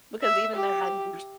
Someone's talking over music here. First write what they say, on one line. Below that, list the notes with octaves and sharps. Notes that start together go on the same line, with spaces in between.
because even though I used
E5
G4